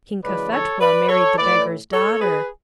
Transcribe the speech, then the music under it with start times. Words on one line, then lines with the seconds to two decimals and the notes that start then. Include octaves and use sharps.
King Cophetua married the beggar's daughter.
0.23 F#2 C#3 E3 G#3 B4 D5
0.52 A4 C#5
0.81 B4 D5
1.08 A4 C#5
1.36 A2 E3 A3 B4 D5
1.93 A4 C#5
2.21 G#4 B4